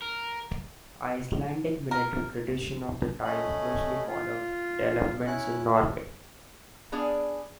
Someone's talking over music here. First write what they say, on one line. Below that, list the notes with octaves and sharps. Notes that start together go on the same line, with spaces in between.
Icelandic military tradition of the time closely followed developments in Norway.
A#4
A#4
A3 C#4 D#5 B5
F4
C#4 E4 F#6
B3 D4 G#4 D5 F5 G#5